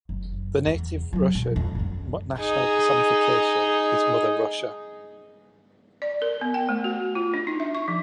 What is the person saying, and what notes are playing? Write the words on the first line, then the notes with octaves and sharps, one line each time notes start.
The native Russian national personification is Mother Russia.
F#1
E2
D3 F#3
B2
F2
F#2 D3
D#4 G#4
D5
A#4
B3
G5
A3
F#4
F4
D4
D#4
E5
C#6
F3